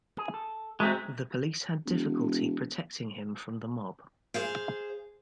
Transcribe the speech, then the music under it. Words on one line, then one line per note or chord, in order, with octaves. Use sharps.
The police had difficulty protecting him from the mob.
G#4
A4
G#3 C4 F#4 E5 A#5
E1
G#4 C5 F5